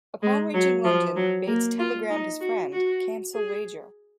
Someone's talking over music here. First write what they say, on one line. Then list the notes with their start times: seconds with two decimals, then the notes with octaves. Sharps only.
Upon reaching London, Bates telegrammed his friend, Cancel wager.
0.23 G#3
0.54 F#3
0.85 F3
1.16 F#3
1.48 A#3
1.79 F4
2.10 D#4
2.41 F#4
2.73 F#4
3.34 G#4